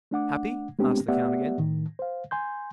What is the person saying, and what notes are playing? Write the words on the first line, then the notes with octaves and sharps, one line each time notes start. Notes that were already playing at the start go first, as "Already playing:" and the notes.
"Happy?" asked the count again.
A3 D4 F#5 D6
G#3 A3 B3 C4 D4 G4
A3 B3 G4 D5 E5 F#5
A2 D#3
C5 F5
G#5 C6 G6